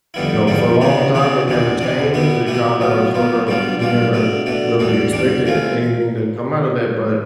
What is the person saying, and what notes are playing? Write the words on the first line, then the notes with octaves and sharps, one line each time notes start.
you know, for a long time it never changed, it kind of, sort of we never really expected anything to come out of that, but,
F2 D3 G3 B3 E4
F2 D3 G3 B3 E4
C3 E3 B3 D4 G4
C3 E3 B3 D4 G4
E2 C3 E3 B3 D4
E2 C3 E3 B3 D4
B2 B3 E4 G4
B2 B3 E4 G4
B1 B2 B3 F4
B1 B2 B3 F4
B1 B2 G3 D4 F4
B1 B2 G3 D4 F4
B2 A3 D4
B2 A3 D4
E2 B2 G3 D4
E2 B2 G3 D4
C3 E3 A3 C4 F4